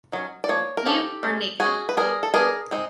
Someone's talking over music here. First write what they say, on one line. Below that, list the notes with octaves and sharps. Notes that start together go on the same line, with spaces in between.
You Are Naked.
D#3 F#3 C#4
D5
F3 A#3 C#5
A#4
F3 A#3 C#4 G4 A4
G#3 C#4
G#3 C#4 F#4 G#4
B4
G3 B3 D4 G#4 A#4
A4
G3 B3 D4 G#4 A#4
G#3 C4 D#4